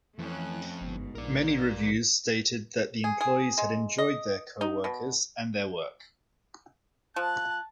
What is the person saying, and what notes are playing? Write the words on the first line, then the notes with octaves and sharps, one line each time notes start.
Many reviews stated that the employees had enjoyed their coworkers and their work.
F2 E3 A3 C#4 F#6
G1 G#2 B2
A#1 A#4 D5
G#4
G#4
G#3
D#5
D#4
B2
F3 A5 F#6